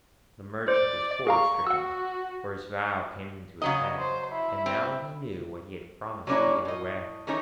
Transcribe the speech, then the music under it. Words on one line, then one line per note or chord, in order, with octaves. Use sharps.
The Merchant was horror-stricken, for his vow came into his head, and now he knew what he had promised to give away.
C5 D5
G#4 F5 A#5 C#6
F#4 F#5 E6
C#3 F#3 D#5 A#5
C5
E4
C4
F#3 G3 A#3 C#4 D4 E4
A2 D#5
D#3 E3 A3 C#4 D#4